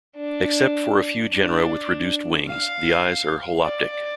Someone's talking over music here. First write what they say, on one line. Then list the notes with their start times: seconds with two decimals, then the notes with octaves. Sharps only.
Except for a few genera with reduced wings, the eyes are holoptic.
0.16 D4
1.32 D4
2.48 F5
3.63 D5